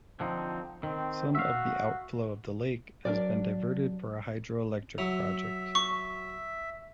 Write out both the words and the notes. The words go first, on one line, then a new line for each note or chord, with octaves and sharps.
Some of the outflow of the lake has been diverted for a hydroelectric project.
D3 F3 C4 D#4
D#3 C4
F#4 E5 F5
F#3 D4 A#4 D5
F#3 E5
C#6